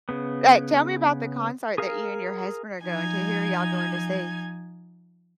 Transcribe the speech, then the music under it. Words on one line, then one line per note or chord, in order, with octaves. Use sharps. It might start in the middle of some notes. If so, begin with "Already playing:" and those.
uh, tell me about the concert that you and your husband are going to, who are y'all going to see?
C#3 B3
G#4 A#4 F5
F3 D#4 G#5 G#6